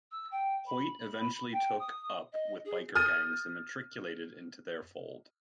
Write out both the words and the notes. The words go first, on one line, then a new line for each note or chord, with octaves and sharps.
Hoyt eventually took up with biker gangs and matriculated into their fold.
E6
G5
B5
G5
D#6
D#5
G#4
D#6 F6 G6 A6 D#7